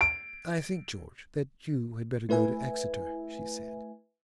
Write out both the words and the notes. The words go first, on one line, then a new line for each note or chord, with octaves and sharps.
"I think, George, that you had better go to Exeter," she said.
D7
A3 E4 B4 E5 G#5